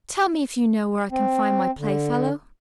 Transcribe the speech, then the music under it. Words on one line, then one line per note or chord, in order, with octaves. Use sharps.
"Tell me if you know where I can find my playfellow."
C4
D3